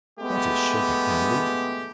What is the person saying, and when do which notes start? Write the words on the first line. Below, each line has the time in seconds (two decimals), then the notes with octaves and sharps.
What is Sugar Candy?
0.20 G#3 A3 B3 G4